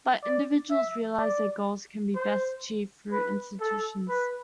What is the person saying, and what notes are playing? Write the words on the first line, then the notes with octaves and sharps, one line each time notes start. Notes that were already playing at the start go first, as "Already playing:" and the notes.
But, individuals realize their goals can be best achieved through institutions.
D5
E5
D5
C5
B4
A4
B4